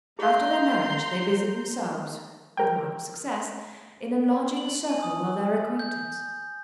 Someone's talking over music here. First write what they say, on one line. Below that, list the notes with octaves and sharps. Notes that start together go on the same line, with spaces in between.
After their marriage they busied themselves, with marked success, in enlarging the circle of their acquaintance.
G#4 F5 A#5 C6 G6
A#4 G5
F#7
G#5
D#6
G6